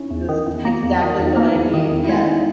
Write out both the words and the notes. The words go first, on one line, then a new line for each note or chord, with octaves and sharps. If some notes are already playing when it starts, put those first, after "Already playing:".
is exactly what I need, yeah.
Already playing: C#4 D#4 E4
E2
D#3
E2
A#3
E2
D#3
E2 D#4
A#3
E2 E4
D#3
E2 D#4
G#3 E4
D#4